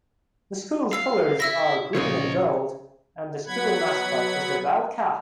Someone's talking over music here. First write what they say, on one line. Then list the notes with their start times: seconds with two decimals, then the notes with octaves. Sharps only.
The school's colors are green and gold and the school mascot is the Wildcat.
0.93 F5 E6 C7
1.40 E4 E5 E6 A#6
1.95 A#2 C#3 F3 C#5 D#5
3.46 F#3 B3 F#5 B5 G#6